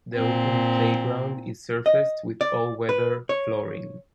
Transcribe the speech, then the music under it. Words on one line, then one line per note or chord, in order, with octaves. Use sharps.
The opened playground is surfaced with all weather flooring.
A#2 C4
D#5
D5
B4
C#5